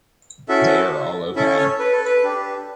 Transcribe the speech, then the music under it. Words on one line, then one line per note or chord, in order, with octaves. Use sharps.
They are all OK.
C#4 E4 F#4 A4 E5
C#4 E4 A4 E5
C#4 C#5
B4
A4
B4
D4 G4